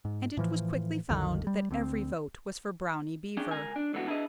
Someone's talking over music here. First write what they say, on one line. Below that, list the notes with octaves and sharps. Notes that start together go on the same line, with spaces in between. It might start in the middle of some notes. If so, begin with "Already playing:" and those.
And it was quickly found that every vote was for Brownie Beaver.
G#2
A2 E3 F3
B1 F2 D3 D#3
G3
D2 C4
C#4 D4 G4 G#4
C#2 A#4 G#5
D4
G#2 D3 E3 A3 B3 F#4
D4 E4 G#4 B4 C5 D#5